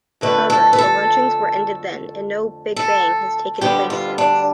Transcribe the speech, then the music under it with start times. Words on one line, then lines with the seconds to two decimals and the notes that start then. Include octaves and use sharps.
However, the launchings were ended then, and no "big bang" has taken place since.
0.21 F2 D3 A3 B4
0.50 A4
0.73 B4
0.78 A4
2.76 A4
3.61 D2 D3 G3 B3 G4
3.90 F4
4.18 D4